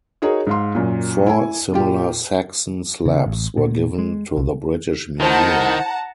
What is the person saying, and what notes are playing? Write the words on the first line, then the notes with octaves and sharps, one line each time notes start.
Four similar Saxon slabs were given to the British Museum.
D#4 F#4 G#4 A#4 C#5
G#2 F5 C6
F#2 A#2
E4 G#5
A#2 F4 G4
C#3
A1
A#2
G#3
C2
D#3 E4 C5 F#5 A5 A#5 G6